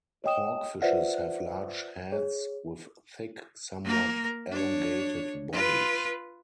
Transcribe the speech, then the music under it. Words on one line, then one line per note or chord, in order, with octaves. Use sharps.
Hawkfishes have large heads with thick, somewhat elongated bodies.
C#5 D#5 G5 D#6 E7
F4 B4 C5 D5 E5 F#5
G#4 C#5
A#3 A#4
D4 C#5
F4 B4